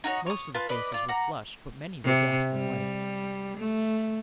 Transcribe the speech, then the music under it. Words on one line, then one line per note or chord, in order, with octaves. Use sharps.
Most of the faces were flushed, but many were ghastly white.
D#4 F#4 C#5
C#5 D#6
F4 B4 A5
B4 D5 D#5 B5
F4 D5
F#5 A#5
C3
G3
A3